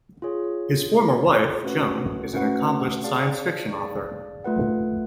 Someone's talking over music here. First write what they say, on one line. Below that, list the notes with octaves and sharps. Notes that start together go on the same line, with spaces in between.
His former wife, Joan, is an accomplished science fiction author.
F4 G#4 C#5
F4 G#4 C#5
A3 C#4 F#4 B4 F#5
A3 C#4 F#4 B4 F#5
G#4 D5 F5 A5
G#4 D5 F5 A5
A3 F4 B4 F#5